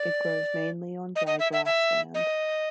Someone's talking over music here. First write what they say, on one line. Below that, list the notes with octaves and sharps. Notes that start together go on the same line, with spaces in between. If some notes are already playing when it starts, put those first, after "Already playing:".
It grows mainly on dry grassland.
Already playing: D5
D#5
D#5
E5
E5
E5
D#5